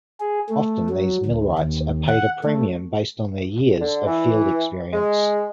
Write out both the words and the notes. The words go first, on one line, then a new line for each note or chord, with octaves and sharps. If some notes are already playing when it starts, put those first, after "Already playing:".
Often, these millwrights are paid a premium based on their years of field experience.
G#4
A3
F#3
D2
D#2
F#5
A3
D3
E3
G#3